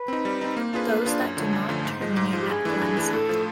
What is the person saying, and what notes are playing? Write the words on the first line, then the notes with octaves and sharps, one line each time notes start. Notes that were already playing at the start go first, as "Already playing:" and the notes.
Those that do not terminate at Glenside.
Already playing: B4
C4 D#4
G3
C4 D#4
A#3 C5
D4 F4 G#4 B4
A#3
D4 F4 G#4 B4 D5
F#2 C#5
D3 F3 A3
F#2
D3 F3 A3 C#5
G#2 C5
F3 G#3
G#2
F3 G#3
G4
G2 G#4
E3 A3 D4
G2
E3 A3 D4
A2 A4
F3 A3